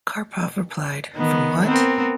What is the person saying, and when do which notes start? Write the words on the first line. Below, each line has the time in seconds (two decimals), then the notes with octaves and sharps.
Karpov replied From what?
1.15 D#3 B3
1.63 B3 C4 A#4